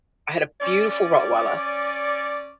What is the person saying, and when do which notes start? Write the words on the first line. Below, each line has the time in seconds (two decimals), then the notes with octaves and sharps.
I had a beautiful Rottweiler
0.61 C#4 D5